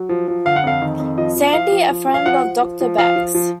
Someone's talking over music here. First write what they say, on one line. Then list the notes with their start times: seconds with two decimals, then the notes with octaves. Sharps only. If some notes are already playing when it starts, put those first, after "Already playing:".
Sandy: A friend of Doctor Beck's.
Already playing: F#3
0.09 F3
0.28 F3
0.45 D3 F5
0.56 F#5
0.64 F2 F5
0.82 D#3
0.99 F2
1.18 F3 D#5
1.36 F3
1.53 F3 F5
1.72 F3
1.90 F3
2.08 F3
2.14 F5
2.26 F3 F#5
2.44 F3
2.62 F3
2.81 F3
2.98 F3 F5
3.16 F3
3.35 F3